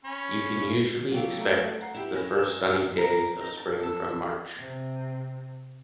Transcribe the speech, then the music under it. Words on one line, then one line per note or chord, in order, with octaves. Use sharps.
You can usually expect the first sunny days of spring from March.
C#4 B5
F#3 F4 G4 A4
A3 A#5
F#5 A#5 C7
E4 G4 E7
C#4 G#4 A#6 E7
A#4 E7
A#4
D#4
A5
A4
C3